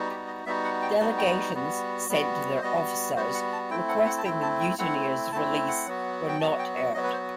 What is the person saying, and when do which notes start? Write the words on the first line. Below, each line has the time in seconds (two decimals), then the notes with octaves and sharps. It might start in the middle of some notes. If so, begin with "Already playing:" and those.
Delegations sent to their officers requesting the mutineers' release were not heard.
Already playing: G3 B3 D#4 F#4
0.10 G4
0.27 D#5
0.46 G3 B3 D#4 F#4 E5
0.64 F#5
0.82 G5
0.99 G3 B3 D#4 F#4 A5
1.18 G5
1.55 G3 B3 F#4
2.09 G3 B3 F#4
2.56 C5
2.62 G3 B3 F#4 D#5
3.16 G3 B3 F#4 C5
3.34 F#5
3.53 A5
3.70 A3 C4 E4 G5
3.88 F#5
4.06 F#5
4.18 A5
4.24 A3 C4 E4 G5
4.42 A5
4.60 G5
4.78 A3 C4 E4 F#5
5.32 A3 C4 E4 A5
5.68 F#5
5.86 F#3 B3 F#4
6.29 G5
6.40 F#3 B3 F#4 A5
6.59 G5
6.77 F#5
6.94 F#3 B3 F#4 D#5
7.03 B4
7.13 C5